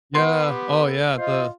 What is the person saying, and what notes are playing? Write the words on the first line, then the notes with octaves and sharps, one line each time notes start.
Yeah. Oh, yeah. The
B3 F#5 C6
G4
A4
F4 C5 D#5